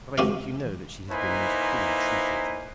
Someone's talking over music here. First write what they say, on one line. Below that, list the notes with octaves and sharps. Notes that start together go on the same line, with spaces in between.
"But I think you know that she has been most cruelly treated."
C#2 C3 F#4 G4 E5 F5
A#3 D#4 E4 B4 C5 G#5